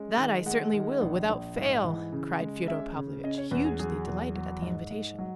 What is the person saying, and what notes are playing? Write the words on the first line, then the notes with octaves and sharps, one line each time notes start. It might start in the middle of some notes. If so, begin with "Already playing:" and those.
"That I certainly will, without fail," cried Fyodor Pavlovitch, hugely delighted at the invitation.
Already playing: G#3 C#4
D#3
G#3 F#5
D#3
A#1
A#1
G#2
E3
C#3
G#3
C#4 E5
C#3
C#4 D#5
C#5
E2 B4
G#4
F#3 G#4
E2
F#3
G#2
G#2
F#3